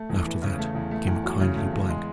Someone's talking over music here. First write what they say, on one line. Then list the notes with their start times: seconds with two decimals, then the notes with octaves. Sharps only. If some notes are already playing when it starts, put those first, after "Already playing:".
After that came a kindly blank.
Already playing: A3
0.10 E2
0.26 E3
0.42 C#3
0.59 A3
0.75 E2
0.91 A3
1.07 E2
1.24 F#3
1.40 C#3
1.56 A3
1.72 E2
1.89 G#3